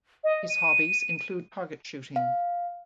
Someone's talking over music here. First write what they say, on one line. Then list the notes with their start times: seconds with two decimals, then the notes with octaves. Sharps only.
His hobbies include target shooting.
0.24 D#5
0.49 D#7
2.16 F5